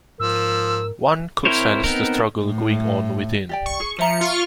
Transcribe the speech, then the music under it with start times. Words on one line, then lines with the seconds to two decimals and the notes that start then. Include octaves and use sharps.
One could sense the struggle going on within.
0.20 G#2 F3 A#4 E6
1.45 C4 E4 A#4 C5 C#5
1.84 B3 C4 D#4 A#4
2.46 A2
3.49 G4 D5 G5
3.66 C#6
3.80 G#4
3.98 F3 C5 E5 A#5 C#7
4.21 F4 C#6 F6